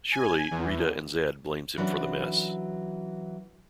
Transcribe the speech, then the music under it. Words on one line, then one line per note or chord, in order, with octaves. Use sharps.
Surely, Rita and Zedd blames him for the mess.
G#5
E2
E3 F#3 C#4 D4